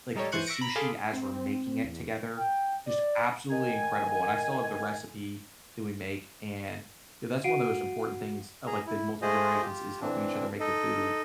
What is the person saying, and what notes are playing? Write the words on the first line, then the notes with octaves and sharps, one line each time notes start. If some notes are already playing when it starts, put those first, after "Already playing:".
like, the sushi as we're making it together. Just absolutely incredible, and I still have the recipe that we make, and, you know, that's one of the most important things of, like, the multiple generations is helping each other make the food
G3 D#4 G4 A4 C#5
E3 C5 C#6 F#6 C#7 D#7
E5 C#6 F#6 A#6 C#7 D7
A#5 B5
G#4 A4 F5 B5 C6 D6
C4
E2
G5
D5
D#3 G#5
F#4 F5 F#5 C7 D7 D#7
G#4 A#5
E4
G#3 A3 F4 G#4 C5 D#5
F4 G4
E3 C4 D4
D#4 A4 D#5